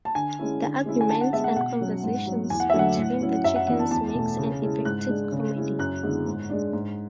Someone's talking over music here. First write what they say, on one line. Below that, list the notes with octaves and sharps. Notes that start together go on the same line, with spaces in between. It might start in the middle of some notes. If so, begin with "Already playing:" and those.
The arguments and conversations between the chickens makes an effective comedy.
A5
D3 G#5
G#3 C#4 E4
D3
G#3 C#4 E4
G#5
D3 A5
F#5
G#3 B3 E5
F#5
B2 F#5
F#3 C#4
G#2
F#3
B3
E2 G#5
F#5
D3 F#3 A3 E5
F#5
A2
F#3 C#4 E4
F#2 E5
F#5
E3 B3 D4 F#5
A5
E2 A5
B2 A3
C#3
G#3 C#4 E4
G#2 F#6
G#3 D4
C#3
G#3 C#4 E4
F#2 F#6
D3 G#3 B3 E4
G#2
G#3 D4
G#2